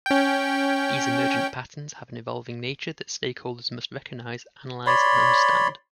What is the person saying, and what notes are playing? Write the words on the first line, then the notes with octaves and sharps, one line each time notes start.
These emergent patterns have an evolving nature that stakeholders must recognize, analyze and understand.
C#4 G5
C#5 D5 B5 C6